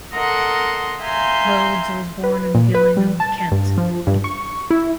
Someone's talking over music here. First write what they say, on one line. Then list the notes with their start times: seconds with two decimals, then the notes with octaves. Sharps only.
Rhodes was born in Gillingham, Kent.
0.13 A4 A#4 D#5 F#5 C6
1.00 E5 F5 G#5 A#5 C6 G6
2.24 B4
2.55 A#2
2.75 B4
2.97 G3
3.20 A5
3.52 G2
3.77 F3
4.07 G2
4.24 C#6
4.71 E4